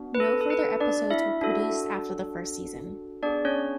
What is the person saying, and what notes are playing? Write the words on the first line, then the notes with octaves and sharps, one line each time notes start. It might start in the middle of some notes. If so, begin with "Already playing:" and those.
No further episodes were produced after the first season.
Already playing: B3 D4 F#4
B4
A4
A4
B4
D4 D5
E4 E5
D4 F#4 A4
B3 D4 G#4 D5
C#4 C#5